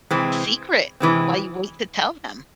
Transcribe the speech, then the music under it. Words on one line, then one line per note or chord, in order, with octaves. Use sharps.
secret while you wait to tell them?
C3 E3 G#3 C4
C3 E3 G#3 C4